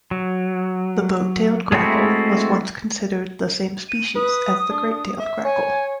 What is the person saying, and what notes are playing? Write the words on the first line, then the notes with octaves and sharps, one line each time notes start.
The boat-tailed grackle was once considered the same species as the great-tailed grackle.
F#3
G#3 A3 C4 E4 F#4
D#7
B4 D#6
D4
E5
C#5 G#5